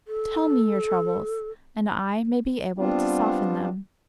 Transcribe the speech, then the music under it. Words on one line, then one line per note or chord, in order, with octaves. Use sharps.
"Tell me your troubles, and I may be able to soften them."
A4
G3 B3 C4 D4 F4